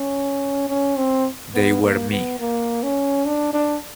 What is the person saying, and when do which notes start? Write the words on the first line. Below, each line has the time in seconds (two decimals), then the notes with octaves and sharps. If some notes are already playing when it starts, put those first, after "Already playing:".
They were me.
Already playing: C#4
0.69 C#4
0.97 C4
1.55 B3
1.83 A#3
2.11 B3
2.40 A#3
2.83 C#4
3.25 D4
3.53 D4